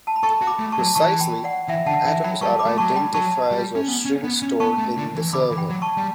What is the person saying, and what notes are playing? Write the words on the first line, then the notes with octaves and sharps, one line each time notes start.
Precisely, atoms are identifiers of strings stored in the server.
A5
B5
A4 A5 C#6
F#4
B5 D6
A3
A5 C#6
F#3
E3 A5 C#6
G5 B5
D5 F#5
E3 E5 G5
D3 F#5 A5
E3 E5 G5
F#3 G5 B5
G3 A5 C#6
B5 D6
A3
F#3 A5 C#6
G3
G5 B5
F#3 A5 C#6
G3
C#4
B3
C#4
B3
C#4
B3 A5 C#6
A3
D3
E3
D3 B5 D6
E3
G5 B5
F#3
A5 C#6
G3